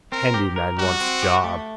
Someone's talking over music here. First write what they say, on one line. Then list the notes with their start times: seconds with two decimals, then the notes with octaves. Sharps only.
Handy man wants job.
0.12 C4 A#4
0.34 G4
0.56 A#4
0.78 G3 F#4
1.00 C4
1.22 G4
1.44 A3